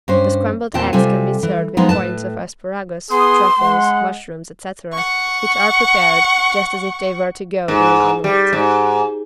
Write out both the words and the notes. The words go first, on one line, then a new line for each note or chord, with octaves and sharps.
The scrambled eggs can be served with points of asparagus, truffles, mushrooms, etc. which are prepared just as if they were to go in an omelet.
G2 C#4 C5
E2 A#2 C4 G5 A5
C3 G3 F4 A4 G#5
E3
F3 G#3 B3 D#4
A2 B4 A5
B3 G#4 C6 D#6
G#3 F#5
F#5 C#6
G#2
G3
G#2